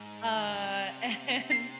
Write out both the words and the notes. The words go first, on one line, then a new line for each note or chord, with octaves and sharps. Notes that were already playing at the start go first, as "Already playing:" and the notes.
Uh, and
Already playing: G#2
D#3
D3
C#3
C3
C7